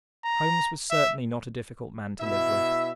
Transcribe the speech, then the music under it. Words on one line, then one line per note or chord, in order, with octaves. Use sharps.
Holmes was certainly not a difficult man to live with.
A#5
E5
B2 E4 E5